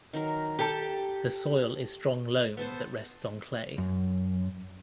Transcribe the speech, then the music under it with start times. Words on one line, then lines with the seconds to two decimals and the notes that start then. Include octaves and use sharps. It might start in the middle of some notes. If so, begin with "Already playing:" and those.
The soil is strong loam that rests on clay.
0.13 D#3 F#3 A#4
0.59 G4 A4 G5 D6
2.57 B3 A4 C5
3.78 F#2